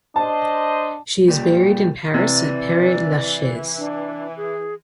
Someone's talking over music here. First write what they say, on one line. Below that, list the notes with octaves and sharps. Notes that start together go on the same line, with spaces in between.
She is buried in Paris at Pere Lachaise.
D4 C5 D#5 A5
A#2 G3
C3 E3 D5
D4
G#4